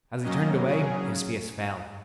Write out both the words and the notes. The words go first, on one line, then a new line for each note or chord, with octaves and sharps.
As he turned away his face fell.
F#2 D#3 F#3 A#3 C#4 D#5
C#3 F#3 C#4 G#4